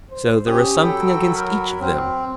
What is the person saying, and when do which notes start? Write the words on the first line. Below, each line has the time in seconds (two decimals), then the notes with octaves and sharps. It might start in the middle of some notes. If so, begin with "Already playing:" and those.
So there was something against each of them.
0.10 C5
0.46 C#4 G4 D#6
0.81 F#3 A4 G5 B5
1.35 A#4 B5
1.81 C4